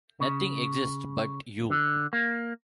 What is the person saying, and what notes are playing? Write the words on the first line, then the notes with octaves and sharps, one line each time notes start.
Nothing exists but you.
C#3
D3
A#3